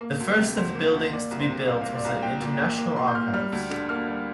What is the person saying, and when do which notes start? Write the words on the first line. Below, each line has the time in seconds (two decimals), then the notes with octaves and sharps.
The first of the buildings to be built was the International Archives.
0.01 A#3
0.20 D2
0.38 C3
0.57 D2 C5
0.75 A#3
0.94 D2
1.13 A#3 D5
1.31 C2
1.40 C5
1.49 C3
1.68 C2 F5
1.81 A#3 F5
1.95 D5
2.05 C2 F5
2.22 A#2 G5
2.42 A#2
2.60 A#3
2.78 A#3
2.96 A#2 C6
3.07 G6
3.15 A#2 F6
3.33 G3 F6
3.52 D2
3.70 D3
3.89 A#3 F6
4.08 G3